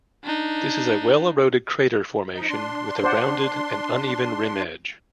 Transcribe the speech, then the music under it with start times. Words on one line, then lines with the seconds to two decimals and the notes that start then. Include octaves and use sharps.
This is a well-eroded crater formation, with a rounded and uneven rim edge.
0.24 D4 D#4
2.32 F3 D#4
2.50 D4 C6
3.04 C5 D5 F#5